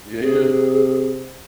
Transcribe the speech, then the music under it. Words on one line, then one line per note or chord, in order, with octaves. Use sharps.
Yeah, yeah.
C3 G#4